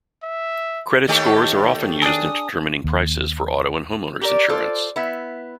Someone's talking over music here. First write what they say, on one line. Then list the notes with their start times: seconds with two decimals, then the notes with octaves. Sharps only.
Credit scores are often used in determining prices for auto and homeowner's insurance.
0.23 E5
1.08 D#2 A3 G4 D#5
2.02 D4 G#4 D#6
2.84 D#2
4.21 G4 A#4 D5
4.49 F4 A4 C5 D5
4.96 B3 E4 E5